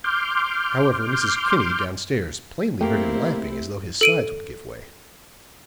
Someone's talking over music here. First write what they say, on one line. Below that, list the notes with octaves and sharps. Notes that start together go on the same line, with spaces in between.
However, Mrs. Kinney, down-stairs, plainly heard him laughing as though his sides would give way.
C6 D6 F6 G6
A3 A#3 C4 E4 G4
A4 D7 D#7